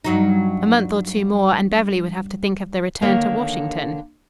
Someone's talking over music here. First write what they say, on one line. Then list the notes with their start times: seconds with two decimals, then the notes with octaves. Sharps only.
A month or two more, and Beverly would have to think of the return to Washington.
0.05 G2 F#3 D#4
3.01 D3 D#3 A#3 C#5